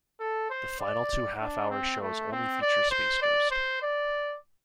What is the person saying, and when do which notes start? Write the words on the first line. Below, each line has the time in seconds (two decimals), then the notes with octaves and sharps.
The final two half-hour shows only feature Space Ghost.
0.20 A4
0.50 C5
0.80 D5
1.41 D4
1.71 C4
2.01 A3
2.32 C4
2.62 D5
2.91 C5
3.22 D5
3.51 C5
3.82 D5